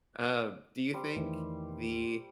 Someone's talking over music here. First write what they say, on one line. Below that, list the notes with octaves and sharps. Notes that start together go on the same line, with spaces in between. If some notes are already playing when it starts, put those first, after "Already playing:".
Um, do you think the
G3 C5
E2 D#3 E3 A3